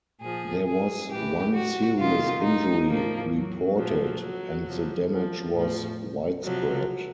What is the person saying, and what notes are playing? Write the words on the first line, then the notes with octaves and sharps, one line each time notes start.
There was one serious injury reported and the damage was widespread.
A#2 F3 G#4
G#4
A2 E3 G4
F#4
C3 D#3 F4
D#4
A2 F3 A#3
F#3
A#2 F3 F#3
F#3
C3 F3
F3
A2 F3
C3 F3 F#3